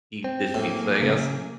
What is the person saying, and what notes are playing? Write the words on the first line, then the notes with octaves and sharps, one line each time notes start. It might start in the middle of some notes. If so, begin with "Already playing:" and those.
deep dish pizza, I guess,
C4
A2 F#3 A#3 G#4
C#3